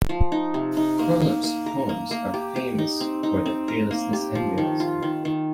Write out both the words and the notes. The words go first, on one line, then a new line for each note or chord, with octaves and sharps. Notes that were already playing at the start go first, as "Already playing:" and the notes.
Choinom's poems are famous for their fearlessness and realism.
F3
D#4
C3
D#4
A#3
A#3
A#3
A#4
A#3
A#3
G4
G4
D#4
C4
D#4
C4
A#4
A#3
G4
F3
D#3
F4
D#3
D#3